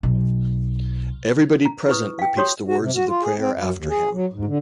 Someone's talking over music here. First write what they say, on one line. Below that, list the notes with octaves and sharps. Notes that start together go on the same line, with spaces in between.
Everybody present repeats the words of the prayer after him.
B1
A#5
E4 B4 C#6 D#6
F5 G5
F#4 G4 C#5 C6 D#6
F#4
C3
F#4
F4
G#4
C4
F#2
D#2
G#4
F#3
G#2
D3